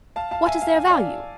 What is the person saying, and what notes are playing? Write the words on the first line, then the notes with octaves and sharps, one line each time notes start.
"What is their value?"
F5 A5
F5 A5
E5 G#5
F5
G#5
D5 F5